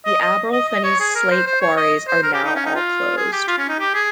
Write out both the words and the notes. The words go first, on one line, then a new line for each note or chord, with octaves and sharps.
The Aberllefenni slate quarries are now all closed.
D#5
D#5
D#5
D#5
C#5
G#4
A#4
C5
C5
C#5
D#5
C5
A#4
G4
D#4
C#4
D#4
F4
G#4
G4
F4
C#4
D#4
G4
G#4